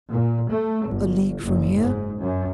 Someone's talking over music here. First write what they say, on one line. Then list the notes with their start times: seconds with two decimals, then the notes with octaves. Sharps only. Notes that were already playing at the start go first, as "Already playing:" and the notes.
"A league from here."
0.12 A#2
0.51 A3
0.87 G1
1.43 F#1
1.77 G#2
2.21 F#2